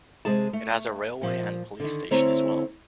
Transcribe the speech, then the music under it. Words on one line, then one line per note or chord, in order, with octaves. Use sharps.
It has a railway and police station as well.
C3 G#3 G#4 A5
A3
A#2 F3
D3 D#3
D3 A3 C4 E4 C#5 A#5